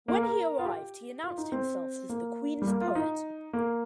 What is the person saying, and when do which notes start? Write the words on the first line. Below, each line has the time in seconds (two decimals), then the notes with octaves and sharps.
When he arrived, he announced himself as "The Queen's Poet".
0.08 A#3
0.23 A#4
0.59 F4
0.65 G4
1.24 F4
1.38 D#4
1.52 C4
2.09 A#3
2.62 G3
2.67 A#3
2.81 F4
2.95 D#4
3.53 A#3